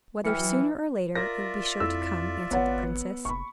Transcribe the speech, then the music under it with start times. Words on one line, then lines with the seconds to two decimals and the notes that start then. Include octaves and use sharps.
"Whether sooner or later, it will be sure to come," answered the princess.
0.25 E3 F#3 G5 F6 C#7
1.15 F4 A#4 D5 E5 A#6
1.80 F2 E4 A4 E6
2.51 G#1 B3 C#5 F#5
3.25 F1 B5 C#6